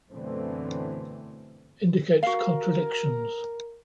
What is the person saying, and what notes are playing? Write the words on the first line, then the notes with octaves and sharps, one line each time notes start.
Indicates contradictions.
F#2 B2 D3 E3 A3 C4
F#4 A#4 F5